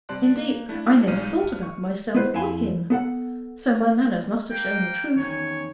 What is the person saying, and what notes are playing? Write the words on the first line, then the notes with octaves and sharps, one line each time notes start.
Indeed, I never thought about myself or him, so my manners must have shown the truth.
C3 G3 D5 A5 C6 F#6
A#3
A3 D4 E4
B1 G3 G#3 D#4 F6 D#7
G2
C#6
B3 E4 B4 C5
F2 E4 E5 F5 G#5 C6
B3 A4 F#5
A#3 G5
E2 D#3 C#4 C#5